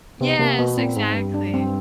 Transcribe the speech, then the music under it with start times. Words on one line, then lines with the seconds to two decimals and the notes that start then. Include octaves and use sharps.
Yes, exactly.
0.21 C3 B3
0.39 C3 A#3
0.58 B2 B3
0.77 A#2 C4
0.96 G#2
1.15 G2
1.34 D4
1.54 C4